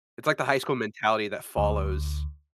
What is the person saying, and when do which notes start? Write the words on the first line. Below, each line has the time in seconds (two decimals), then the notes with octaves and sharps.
It's like the high school mentality that follows
1.58 D2